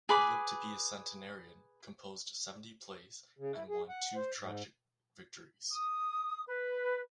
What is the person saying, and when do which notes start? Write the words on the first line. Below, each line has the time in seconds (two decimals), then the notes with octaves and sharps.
He lived to be a centenarian, composed seventy plays, and won two tragic victories.
0.09 G#4 B4 B5 D6
3.39 C#3
3.53 E4
3.69 G#4
3.89 F#5
4.15 C5
4.39 G#2
5.71 D#6
6.47 B4